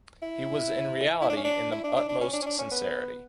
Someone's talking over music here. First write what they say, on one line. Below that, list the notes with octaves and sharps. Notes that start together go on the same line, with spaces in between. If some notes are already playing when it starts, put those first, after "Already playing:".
He was in reality in the utmost sincerity.
E4
E4
D4
C#4
D4
E4
D4
D4
D4
C#4
D4
C#4
D4
C#4
B3